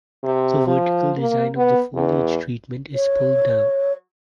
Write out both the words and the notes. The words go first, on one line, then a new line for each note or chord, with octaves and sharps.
The vertical design of the foliage treatment is pulled down.
C3
F3
A#3
B3
E2
C#5